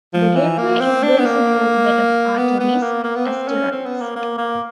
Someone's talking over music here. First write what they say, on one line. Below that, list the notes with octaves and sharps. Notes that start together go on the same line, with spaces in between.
The gameplay is very similar to that of Atari's "Asteroids".
F3
E3
A#3
C4
D4
B3
A#3
B3
B3
A#3
A#3
B3
C4
C#4
C4
B3
A#3
A#3
A#3